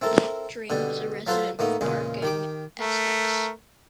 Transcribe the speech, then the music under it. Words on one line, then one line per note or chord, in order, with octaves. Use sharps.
Drain was a resident of Barking, Essex.
C4 E4 A4 A#4
B2 D3 G3
F#3 F4 A4 B4 C5
A2 A#3 B3 D#4
E2 A#2 C#3 G#3
D#3 G4 D6
A3 A#4